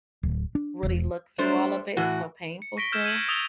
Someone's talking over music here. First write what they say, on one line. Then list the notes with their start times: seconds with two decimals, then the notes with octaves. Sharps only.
really look through all of it. It's so painful still,
0.23 D1
0.55 D4
0.83 E1
1.38 G3 A3 D4 C5
1.97 A2 E3 F#4
2.62 C#7
2.77 C#6 A#6 B6 D7 G7
2.92 E6 F6 G6 G#6 B6 E7
3.05 G#6 D#7 E7 F#7
3.29 D#6 E6 A6 F7 G7